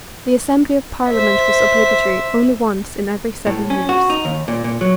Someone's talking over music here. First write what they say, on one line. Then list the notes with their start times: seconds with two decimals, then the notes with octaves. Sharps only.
The assembly of Parliament was obligatory only once in every seven years.
1.09 C5 E5
3.47 A2
3.70 C#4
3.89 F#4
4.10 D#4
4.25 D#2
4.48 A#2
4.64 A#2
4.81 F#3